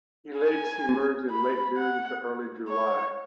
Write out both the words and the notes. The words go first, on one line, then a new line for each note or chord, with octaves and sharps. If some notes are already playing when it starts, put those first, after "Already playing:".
Alates emerge in late June to early July.
G#5
B5
F#5
C#5